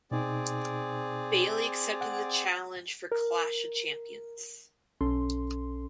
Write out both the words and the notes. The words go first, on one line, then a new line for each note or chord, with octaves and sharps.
Bayley accepted the challenge for Clash of Champions.
B2 C4 D#4 G#4 D5
F#5
A#4
B1 C#4 A4 C6